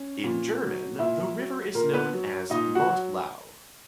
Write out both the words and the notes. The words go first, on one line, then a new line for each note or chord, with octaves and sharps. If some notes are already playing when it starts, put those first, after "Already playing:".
In German the river is known as "Mottlau".
Already playing: C#4
A#2
F#3
A#2 E4 E5
F#3
A#2 A#3 A#4
B3 B4
F#3
A#2 D#4 D#5
F#4 F#5
F#3